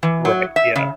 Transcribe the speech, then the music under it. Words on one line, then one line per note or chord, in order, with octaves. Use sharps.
Right, yeah.
E3
F#3
E5
C#3